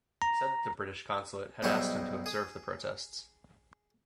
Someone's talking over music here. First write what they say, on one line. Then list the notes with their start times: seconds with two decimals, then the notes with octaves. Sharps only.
He said that the British consulate had asked him to observe the protests.
0.22 A#5
1.63 B1 G#2 G3 G#3 E4 C#6
2.26 G#4